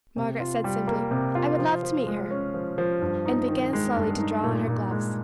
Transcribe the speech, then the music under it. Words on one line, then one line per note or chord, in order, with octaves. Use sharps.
Margaret said simply, "I would love to meet her," and began slowly to draw on her gloves.
C3
F4
G3
A#3
C3
F4
F3
F3
G#3
C#4
F3
F3
G2
D#4
D#3
G#3
G2
D#4
A#2
A#2
G#3